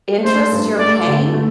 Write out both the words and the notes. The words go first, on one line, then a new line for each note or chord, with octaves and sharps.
interest you're paying
A3 C5
G2
A3 D5
D3
A3